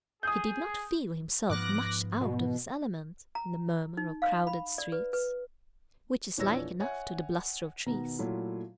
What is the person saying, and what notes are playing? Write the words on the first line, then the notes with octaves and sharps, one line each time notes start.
He did not feel himself much out of his element in the murmur of crowded streets, which is like enough to the bluster of trees.
G#4 D#6 G6
G#2 F3 B3 D6 F#6 A#6
B2
A#5
D#4
F5
B5
D5
B4
B4
A#1 E2 D4 C#5 E6 A#6
C#5 E5 F#5 G#5
B2 D#3 B3 A#5
A#2 F#3 A3 E4 F4